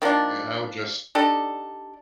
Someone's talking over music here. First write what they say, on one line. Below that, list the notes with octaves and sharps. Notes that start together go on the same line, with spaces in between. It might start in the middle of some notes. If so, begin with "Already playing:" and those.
and I would just
D#3 F3 A#3 D4
D4 D#4 G4 A4